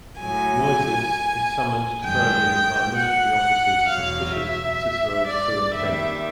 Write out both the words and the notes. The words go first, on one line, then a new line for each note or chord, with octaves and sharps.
Moyzisch is summoned to Berlin by military officers suspicious of Cicero's true intent.
A2 F#3 G#5
F#2 D#3 G#3 G5
F#5
E2 B2 F#3 F5
E5
D5
D#2 D#3 G3 E5